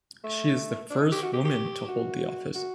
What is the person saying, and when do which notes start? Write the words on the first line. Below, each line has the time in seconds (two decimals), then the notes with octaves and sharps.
She is the first woman to hold the office.
0.24 A3
0.90 D4
1.02 D#4
1.12 G4
1.22 F#4
1.33 G4
1.45 G4
1.88 F#4
2.55 F#4